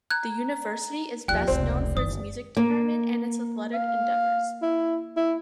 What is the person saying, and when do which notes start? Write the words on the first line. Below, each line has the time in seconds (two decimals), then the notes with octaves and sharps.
The University is best known for its music department and its athletic endeavors.
0.11 A#5 F#6 G#6
1.28 D#2 F3 F4 G4 D5 G5 F#6
1.47 F1 C#2 C4 D5
1.97 F#1 D#3 D#6
2.57 A#3
3.74 F5
4.62 E4
5.17 E4